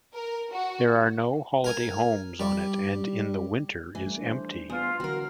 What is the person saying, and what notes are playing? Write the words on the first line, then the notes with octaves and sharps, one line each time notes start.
There are no holiday homes on it and in the winter is empty.
A#4
F#4
A#4 G#5
G3
E3 G3 A3
D4 C5
E2 F4 C6
D3 E3 F#3 F#4 A#4 F6